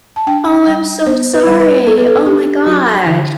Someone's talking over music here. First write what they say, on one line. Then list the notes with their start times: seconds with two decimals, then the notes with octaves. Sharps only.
Oh, I'm so sorry. Oh my gosh.
0.16 A5
0.27 D4 G5
0.67 G3 G5
1.07 B3 C5
1.33 B4
1.47 G3
1.60 B4
1.87 B3 A4
1.98 B4
2.08 A4
2.26 D4 G4
2.67 F#3 F#4
3.06 D3 E4